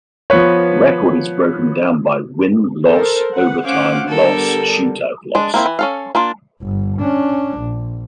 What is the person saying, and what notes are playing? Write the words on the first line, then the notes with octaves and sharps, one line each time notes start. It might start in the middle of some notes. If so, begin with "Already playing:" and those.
Record is broken down by Win-Loss-Overtime Loss-Shootout Loss.
F3 B3 B4 C#5
A4 A#4 C5
B4 F#5
C#4 C5 F5 F#5 D6
D3 G3 B3 A4 A#4
G#3 D4
A#3 C4 E4
E3
C#4 A4 F5
A#3 D4 F4
G1
C#4 D4
A#1